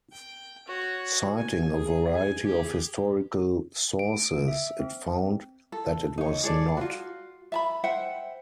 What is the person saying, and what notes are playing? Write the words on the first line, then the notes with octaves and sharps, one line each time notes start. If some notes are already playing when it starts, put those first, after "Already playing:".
Citing a variety of historical sources, it found that it was not.
G5
F#4 C#5
G#5
G#4
G#5
G4 G#4
D7
E5
C4
A4
D#4 C#5
G#4 A4 C#5 D5
F4 F#4
E5 A5 B5
C5 E5 F#5 G5